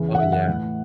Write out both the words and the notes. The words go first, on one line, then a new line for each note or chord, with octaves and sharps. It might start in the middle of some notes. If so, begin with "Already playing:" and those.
oh, yeah.
Already playing: E2 C#3 E3
F#5
E5
F#5
A2 E3